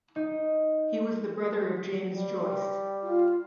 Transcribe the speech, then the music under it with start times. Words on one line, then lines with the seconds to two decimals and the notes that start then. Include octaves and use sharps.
He was the brother of James Joyce.
0.16 D#4
2.11 G3
3.03 F4